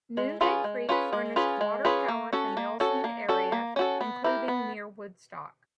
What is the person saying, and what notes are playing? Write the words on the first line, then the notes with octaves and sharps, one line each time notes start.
Noonday Creek furnished water power to mills in the area, including near Woodstock.
G#3
C#4 F4 G#4 B4
G#3
C#4 F4 G#4 B4
G#3
C#4 F4 G#4 B4
G#3
C#4 F4 G#4 B4
A#3
C#4 F#4 A4
A#3
C#4 F#4 A4
A#3
C#4 F#4 A4
A#3
C#4 F#4 A4
B3
E4 G4 A#4
B3